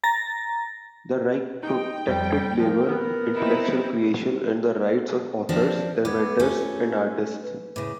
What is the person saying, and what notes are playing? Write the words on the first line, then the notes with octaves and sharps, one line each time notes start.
The Reich protected labor, intellectual creation, and the rights of authors, inventors, and artists.
A#5 A6 A#6
D#4 G5
F2 G3
F3 A#4
B3
C4 D#4 E4
F3 C4 D4
B3 D6 G#6
A3 C#4 F4 G4 A4
B4
A2 C#3 G#4 B4 D6